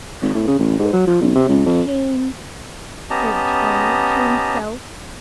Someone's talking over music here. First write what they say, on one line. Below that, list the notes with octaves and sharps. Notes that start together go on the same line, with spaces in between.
"How quickly we came," said Tommy to himself.
G#1
A2
C#3
A1
G#2
F#3
F3
B1
C3
C#2
F2
B3 C#4 G4 D#5 A5 A#5